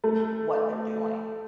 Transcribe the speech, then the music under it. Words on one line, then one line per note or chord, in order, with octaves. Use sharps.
what they're doing.
A3